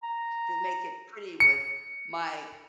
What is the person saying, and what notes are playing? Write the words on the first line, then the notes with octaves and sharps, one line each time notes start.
then make it pretty with my
A#5
C#7